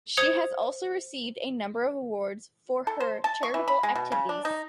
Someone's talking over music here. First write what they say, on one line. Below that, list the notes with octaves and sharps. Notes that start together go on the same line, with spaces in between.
She has also received a number of awards for her charitable activities.
C5 D#6 G#6 C#7 F7
A4
C5
A5
C#6
E3
B5
G#3
B2
C#3
D4
D#4